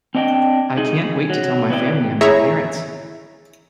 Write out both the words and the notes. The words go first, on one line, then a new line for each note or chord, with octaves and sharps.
I can't wait to tell my family and my parents.
C4 D4 D#5 F#5 G5
D#4 G#4
F#3
C3 B3 C#4 E4 D5 G5
E4 G#4 C#5 E5 A#5